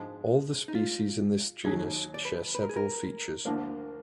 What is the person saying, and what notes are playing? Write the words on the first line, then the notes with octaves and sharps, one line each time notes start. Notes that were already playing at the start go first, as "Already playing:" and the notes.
All the species in this genus share several features.
Already playing: G#2 F3 G#3 D4
D#4
F4
D#2 D#3 F#3 G#4
D5
B4
B4
A#4
G#4
A#4
D2 D3 F3 A#3 D4